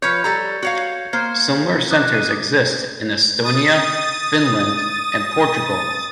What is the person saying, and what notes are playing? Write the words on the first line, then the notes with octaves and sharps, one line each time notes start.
Similar centers exist in Estonia, Finland, and Portugal.
F3 B4 C#5 G6 G#6 C#7
G3 A4 A#5
F#4 C#5 F5 C#7
A#3 C5 G#6
D6 D#6 F#6
D#7
D#6 A6